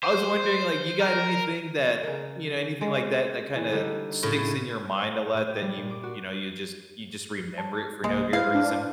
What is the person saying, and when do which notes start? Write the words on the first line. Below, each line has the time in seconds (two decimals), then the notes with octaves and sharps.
I was wondering, like, you got anything that, you know, anything like that, that kinda sticks in your mind a lot that you, you know, you just you just remember it for no good reason?
0.03 C5
1.01 A#4
2.03 C#3 A#4
2.81 G#3
3.56 E3
3.72 D3 G3 D#4
4.23 A2 C#3
5.34 A2
5.49 G4
5.62 G3
5.77 A#2
5.90 D6
6.03 F#4
7.58 A5
8.04 C2 G#3 A#3
8.33 E4 B4 C5 F5
8.55 D4